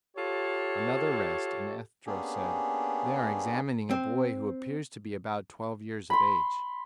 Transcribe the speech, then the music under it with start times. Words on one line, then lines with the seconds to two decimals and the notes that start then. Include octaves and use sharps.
Another rest, and Estra said: "They are examining a boy who appears to be about twelve years of age."
0.17 F4 G4 A4 C#5
2.07 A#3 B3 C#4 D4 G4 G#4
3.91 C4
6.10 B5 C6